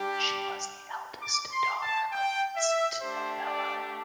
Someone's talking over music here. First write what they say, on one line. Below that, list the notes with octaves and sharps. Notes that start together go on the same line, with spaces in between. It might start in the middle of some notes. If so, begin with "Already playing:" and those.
She was the eldest daughter of Vincent Novello.
Already playing: G3 D4 G4
D6
C6
A5
G5
E5
A3 D4 G4 C5
D5